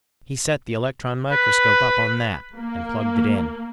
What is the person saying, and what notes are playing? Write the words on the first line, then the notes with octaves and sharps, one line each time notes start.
He set the electron microscope up on that and plugged it in.
B4
A#3